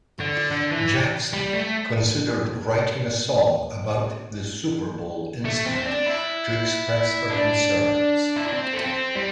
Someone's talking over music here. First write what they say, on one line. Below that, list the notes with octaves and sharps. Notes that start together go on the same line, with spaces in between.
Jackson considered writing a song about the Super Bowl incident to express her concerns.
D3
D3
E3
G3
A3
A3
C4
C4
D4
E4
D4
E4
D4
C4
A3
C4
G3